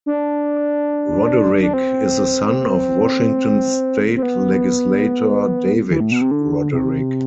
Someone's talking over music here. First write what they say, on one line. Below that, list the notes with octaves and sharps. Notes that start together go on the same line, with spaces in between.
Roderick is the son of Washington state legislator David Roderick.
D4
D4
C4
C4
B3
E3
A2
B2
C3
D3
C3